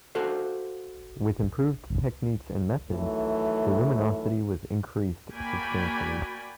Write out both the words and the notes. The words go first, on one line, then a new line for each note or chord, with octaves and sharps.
With improved techniques and methods, the luminosity was increased substantially.
F#4 A4 C5 F5
D#3 E3 F#3 A3
A#3 F#4 D5 G5 G#5 B5